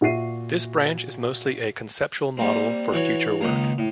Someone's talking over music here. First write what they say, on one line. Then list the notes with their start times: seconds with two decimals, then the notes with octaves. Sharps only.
This branch is mostly a conceptual model for future work.
0.01 A#2 F#4 E5 C7 D#7
2.37 G3 A#3 C4
2.92 E3 F#4 C#5
3.41 C#2 D#3 A#3
3.78 A2